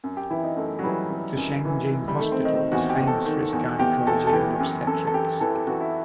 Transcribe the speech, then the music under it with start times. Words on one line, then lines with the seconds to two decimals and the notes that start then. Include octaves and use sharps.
The Shengjing Hospital is famous for its gynaecology and obstetrics.
0.04 F#2
0.17 G4
0.30 E3 E4
0.44 D#4
0.57 F#2 A3
0.79 F#3
0.83 E3 G3
1.10 E3
1.37 F#2
1.65 E3
1.91 E3
2.08 G3
2.19 D#3 A3
2.32 C4
2.45 D#3 D#4
2.72 E2 F#4
2.90 G4
2.99 E2
3.07 A4
3.25 D#3
3.53 E2
3.79 E2 G4
4.07 E2 A4
4.27 A4
4.33 E3 G4
4.60 F#2 G4
4.87 F#2 A4
5.07 A4
5.13 F#2 G4
5.40 E3 A4
5.54 G4
5.67 E3 F#4
5.80 E4